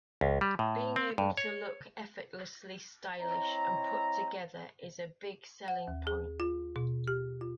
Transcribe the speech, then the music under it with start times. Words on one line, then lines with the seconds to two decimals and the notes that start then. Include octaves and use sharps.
Being able to look effortlessly stylish and put together is a big selling point.
0.21 C#2
0.41 G3
0.59 A2
0.96 C4
1.18 G2
1.37 C#5
3.21 C4 E4 C#5 D#5 A#5
5.68 F#5
5.88 D#2
6.07 G#4
6.40 F4
6.76 B2
7.08 G4
7.41 F4